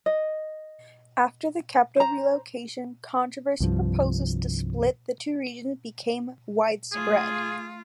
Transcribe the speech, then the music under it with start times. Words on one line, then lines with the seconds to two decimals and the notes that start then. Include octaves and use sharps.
After the capital relocation controversy proposals to split the two regions became widespread.
0.06 D#5
1.96 C5 A#5
3.60 C2 G2 F3
6.92 A3 F4 G#4